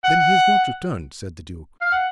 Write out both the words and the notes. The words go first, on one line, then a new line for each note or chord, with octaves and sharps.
"Then he has not returned?" said the duke.
F#5
F5
F#5